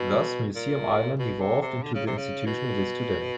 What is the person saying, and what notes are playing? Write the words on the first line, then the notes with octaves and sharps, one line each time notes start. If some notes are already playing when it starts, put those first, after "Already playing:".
Thus Museum Island evolved into the institution it is today.
Already playing: B2
A#2
B2
C3
C3
D3
C#3
C3
C#3
B2